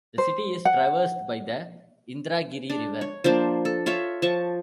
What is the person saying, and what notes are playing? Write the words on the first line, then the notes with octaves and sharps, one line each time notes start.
The city is traversed by the Indragiri River.
C5
F#5
D4
C#5
F3 A#3 D4 C5
A4
F4 C#5 E5
F3 A5 C#6